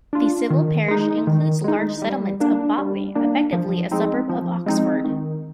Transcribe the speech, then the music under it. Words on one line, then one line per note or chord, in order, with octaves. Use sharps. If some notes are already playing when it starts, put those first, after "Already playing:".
The civil parish includes the large settlement of Botley, effectively a suburb of Oxford.
D4 F4
D#3
G#3 D#4
D#3
G#3 D#4
G3
A#3 D4
G3
A#3 D4
F3
G#3 C4 D#4
F3
G#3 C4 D#4
D#3